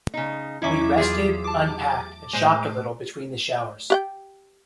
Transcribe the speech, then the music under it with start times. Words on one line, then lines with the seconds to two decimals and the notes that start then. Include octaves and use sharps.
We rested, unpacked, and shopped a little between the showers.
0.14 C#3 D#4
0.62 E2 F#3 C#4 D#4 E4 E5 D6
0.98 F4 G4 G#4
1.44 A5 D6
2.33 A2 G#3 C5
3.90 G4 F#5 G5